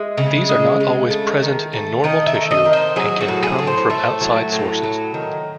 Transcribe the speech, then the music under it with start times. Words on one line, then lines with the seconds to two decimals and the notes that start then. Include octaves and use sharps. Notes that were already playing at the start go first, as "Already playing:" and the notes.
These are not always present in normal tissue and can come from outside sources.
Already playing: G#3 E5
0.18 C#3
0.49 G#3
0.80 C#3
1.10 A3
1.42 D#3
1.73 A3
2.04 D#3 D#5
2.27 E5
2.34 A3
2.51 D#5
2.65 D#3
2.73 C5
2.96 F#3 G#4
3.21 F#4
3.28 A2
3.43 G#4
3.59 A2
3.67 C5
3.90 A3 E5
4.21 F#3
4.52 A2
4.83 F#3
5.14 D#3